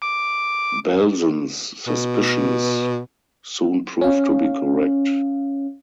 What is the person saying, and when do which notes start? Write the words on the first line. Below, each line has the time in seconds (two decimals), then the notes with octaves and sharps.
Belzen's suspicions soon proved to be correct.
0.02 D6
1.87 B2
4.01 C#4 F5